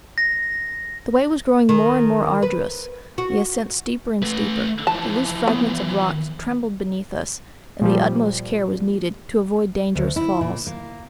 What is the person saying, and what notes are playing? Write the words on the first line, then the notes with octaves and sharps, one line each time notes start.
The way was growing more and more arduous, the ascent steeper and steeper; the loose fragments of rock trembled beneath us, and the utmost care was needed to avoid dangerous falls.
A#6
D#3
B4
F#4
A3 B4
E3 F3 A5
B3
A#2 F3 G3
D2
E4
A#2
A#3